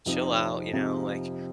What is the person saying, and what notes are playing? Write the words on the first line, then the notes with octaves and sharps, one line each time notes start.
chill out," you know, like,
F2 C3 F3 C4 D#4
F2 C3 F3 C4 D#4